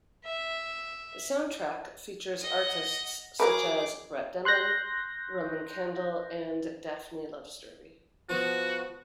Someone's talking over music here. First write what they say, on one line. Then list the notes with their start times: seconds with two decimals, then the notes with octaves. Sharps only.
The soundtrack features artists such as Brett Dennen, Roman Candle and Daphne Loves Derby.
0.25 E5
2.42 D#5 F#5
3.40 F#3 G#4 A#4 B4 D6
4.45 C6 F#6 G6 A#6
8.29 F3 B3 F#4